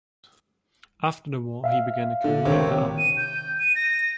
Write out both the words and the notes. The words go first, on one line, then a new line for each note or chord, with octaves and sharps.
After the war, he began a career in the army.
E5 F5
D3
G#1 C3 D#3 C#5
D#7
G6
D#7
A#6